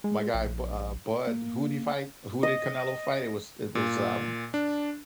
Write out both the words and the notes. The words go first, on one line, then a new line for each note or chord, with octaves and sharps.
my guy Bu uh, Bud, who did he fight? Who did Canelo fight? It was it was, um
G#3
A#1
A#3
D#5
A#2
D4